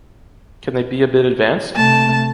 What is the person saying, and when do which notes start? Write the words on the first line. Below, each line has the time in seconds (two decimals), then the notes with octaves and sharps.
Can they be a bit advanced?
1.76 C3 A3 A5